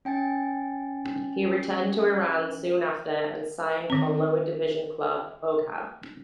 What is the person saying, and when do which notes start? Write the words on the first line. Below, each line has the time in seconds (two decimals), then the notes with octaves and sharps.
He returned to Iran soon after and signed for lower division club, Oghab.
0.05 C#4 G5 G#5 A6
3.90 D#3 C4